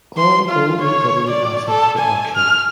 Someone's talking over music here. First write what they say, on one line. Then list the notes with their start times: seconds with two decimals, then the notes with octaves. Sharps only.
All O and W assets were auctioned.
0.18 C6
0.49 F4
0.81 C#5
1.30 D5
1.69 A4
1.98 G#5
2.36 F6